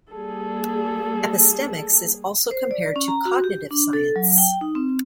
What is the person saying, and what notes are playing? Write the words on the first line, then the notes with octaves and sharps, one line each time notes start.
Epistemics is also compared to Cognitive Science.
G3 A#3 G#4 A4
C5
D5
C#4
A#5
F#4
G4
D4
A4
F#3
G5
D#4
C4